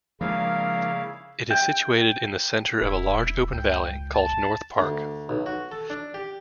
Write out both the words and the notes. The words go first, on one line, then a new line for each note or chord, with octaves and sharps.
It is situated in the center of a large open valley called North Park.
C#3 F3 G#3 A#3 D4 E4 F5
G5
E1 E4
C#2 G5
A5
D2
B1
F#4
A4
D4
G4